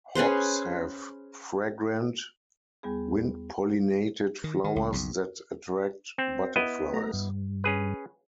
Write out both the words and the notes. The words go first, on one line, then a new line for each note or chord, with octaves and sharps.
Hops have fragrant, wind-pollinated flowers that attract butterflies.
C#4 G#4 B4 C5
E2 G3 B3 G#4
D#3
D#3
C#2
B1 F2 C#3
C4
B3 E4 D#5
A3 A#5
G2
C#4 G#4 B4